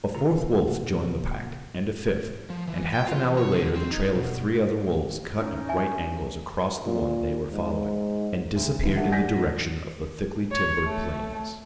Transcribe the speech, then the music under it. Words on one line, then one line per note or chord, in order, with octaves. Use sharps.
A fourth wolf joined the pack, and a fifth, and half an hour later the trail of three other wolves cut at right angles across the one they were following and disappeared in the direction of the thickly timbered plains.
A#2 C#3 F4 A4 A#5
F3
E3
G5
F4
E3
C#5
D3
C4
D#4
B2
C#4 D#4
E5 G#5
A#2
G#2
D2
C#3
D3 E3 G3 E4 G4 B4
D4 F#4 A#4 E5 F#5
D5 F#5 G#5 G6 A#6 B6
E4 A4
C#5
A3